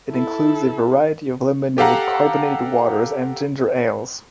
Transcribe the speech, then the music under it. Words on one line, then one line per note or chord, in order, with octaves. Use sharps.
It includes a variety of lemonade, carbonated waters and ginger ales.
E4 A4
G4 A4 F5 F#5 A#5